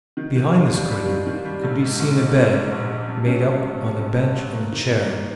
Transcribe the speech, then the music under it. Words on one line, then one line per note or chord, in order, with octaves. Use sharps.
Behind this curtain could be seen a bed made up on a bench and a chair.
D#3
D#3
D#2
G3
G3
D#3
D#3
G3
A#1
G#2
A#1
G#2
G#2
G#2
A#1
A#1
G2
C#4
G2
G#1
G#1
G2
G2
G#1
A#3
D#3
A#3
A#3